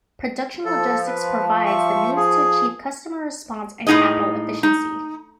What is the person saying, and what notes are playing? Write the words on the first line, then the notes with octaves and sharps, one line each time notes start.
Production logistics provides the means to achieve customer response and capital efficiency.
F3 A4
B4
E5 C#6
G#4
A2 C#4 D#4 G#4 D#5
D#4